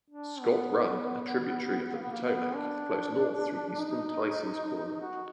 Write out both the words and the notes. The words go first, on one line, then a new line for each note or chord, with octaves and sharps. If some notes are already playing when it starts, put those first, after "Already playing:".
Scott Run, a tributary of the Potomac, flows north through eastern Tysons Corner.
D4
B3
A#3
B3
A#3
B3
D4
D#4
F#4